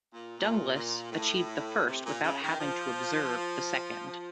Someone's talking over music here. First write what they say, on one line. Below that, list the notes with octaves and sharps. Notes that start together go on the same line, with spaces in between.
Dunglass achieved the first without having to observe the second.
A#2
A#2
A#2
A2
C3
A#2
C#3
D#3
F3
F3